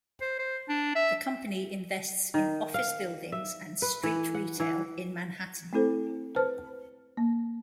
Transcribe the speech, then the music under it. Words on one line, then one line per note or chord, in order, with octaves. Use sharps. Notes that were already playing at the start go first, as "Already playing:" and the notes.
The company invests in office buildings and street retail in Manhattan.
C5
C5
D4
E5
D#3
F5
E5
B4
E3
F#5
E3
A3 C4 E4 A4 C5
B4 C5 A5 F6
A#3